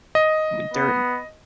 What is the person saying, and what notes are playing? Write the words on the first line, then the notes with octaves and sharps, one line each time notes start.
mm dirt and
D#5
B3